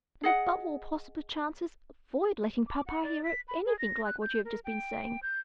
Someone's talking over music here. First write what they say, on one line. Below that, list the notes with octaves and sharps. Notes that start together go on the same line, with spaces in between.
'And above all possible chances, avoid letting papa hear anything like what you have just been saying.
G#4 D#5 F#5
D6
F#5
D5
B6
B5
G#4
A#6
F#6
G6
A#4
G5
G6